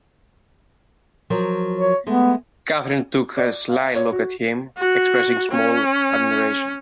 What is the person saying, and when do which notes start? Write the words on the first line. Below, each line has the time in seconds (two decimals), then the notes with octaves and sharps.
Catherine took a sly look at him, expressing small admiration.
1.30 F3 F#3 A#4
1.79 C#5
2.07 G#3 A3 B3
3.37 D5
3.69 F5
3.96 C#5
4.12 F#4
4.77 F#4
5.51 C#4